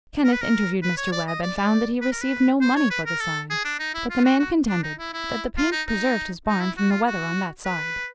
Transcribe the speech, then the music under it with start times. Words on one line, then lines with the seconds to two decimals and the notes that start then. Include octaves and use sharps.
Kenneth interviewed Mr. Webb and found that he received no money for the sign; but the man contended that the paint preserved his barn from the weather on that side.
0.24 A#4
0.32 B4
0.41 A#4
0.82 B4
0.97 C#5
1.12 D5
1.27 D#5
1.42 D5
1.57 D5
2.01 B4
2.12 A#4
2.21 B4
2.61 C5
2.76 C#5
2.90 B4
3.06 A#4
3.20 A4
3.50 G#4
3.64 D4
3.79 D#4
3.94 E4
4.10 F4
4.24 F#4
4.39 F#4
4.69 D4
4.83 D#4
4.99 E4
5.13 E4
5.57 F4
5.72 D#4
5.88 D#4
6.47 D#4
6.61 E4
6.77 F#4
6.91 F4
7.06 F#4
7.65 B4